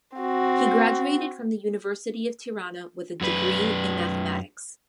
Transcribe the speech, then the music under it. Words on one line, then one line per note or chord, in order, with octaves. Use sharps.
He graduated from the University of Tirana with a degree in Mathematics.
C4 F#4
F#2 B4